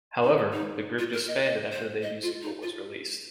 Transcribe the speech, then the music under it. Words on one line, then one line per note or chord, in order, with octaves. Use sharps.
However, the group disbanded after the debut single was released.
D#4
D#4
F4
A#4
D#5
D#5
C5
D#5
F4
D#4
F4